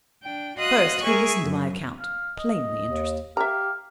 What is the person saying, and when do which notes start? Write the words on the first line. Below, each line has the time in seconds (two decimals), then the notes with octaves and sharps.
First he listened to my account, plainly interested.
0.23 D4 G5
0.57 F#4 D#5 F5 C6 D#6 F#6
1.03 G#4 A#4 E5 G#5 C#6
1.41 F#2 F#3
2.00 F5
2.38 D#5
2.87 D#2
3.37 G4 E5 F5 A#5